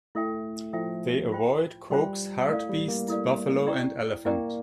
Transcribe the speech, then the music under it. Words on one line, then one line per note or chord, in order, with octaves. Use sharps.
They avoid Coke's hartebeest, buffalo and elephant.
A3 E4 A4 E5 G5
F3 E4 A4 E5 G5
F4 C5 G5 C6
G3 F4 C5 G5 C6
A3 E4 A4 D5 F5
G3
A#3
E4 A4 D5 F5
E4 G4 D5 G5 A#5
A#3 E4 G4 D5 G5 A#5